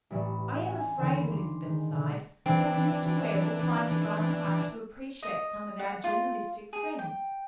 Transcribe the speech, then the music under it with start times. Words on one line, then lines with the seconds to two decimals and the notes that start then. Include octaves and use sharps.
"I am afraid," Elizabeth sighed, "that Mr. Ware will find it rather hard to appreciate some of our journalistic friends."
0.10 A1 G3 B4 D5 E5 C#6
0.65 C#4 E5 G#5
0.97 D#2 D3 E3 C6 E7
1.31 C6 D6
1.63 D#3 G#3
1.88 B2 D3
2.46 E3 C4 D4
5.23 D#5
5.79 F#5
6.04 F4
6.73 G#4
6.99 G5